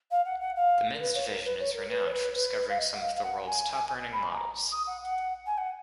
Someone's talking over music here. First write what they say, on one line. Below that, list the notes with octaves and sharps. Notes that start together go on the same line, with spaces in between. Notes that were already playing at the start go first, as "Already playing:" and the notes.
The men's division is renowned for discovering some of the world's top earning models.
F5
F#5
F#5
F5
A#4
B4
C#5
A#4
B4
C#5
A#4
B4
C#5
B4
B4
F5
D#5
F#5
F5
F5
F#5
G#5
B5
G#5
A#5
D#6
F#5
F#5
G#5
F#5